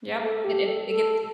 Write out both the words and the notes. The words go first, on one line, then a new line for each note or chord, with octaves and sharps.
Yep, it it it gets
A4
G4
A4
A4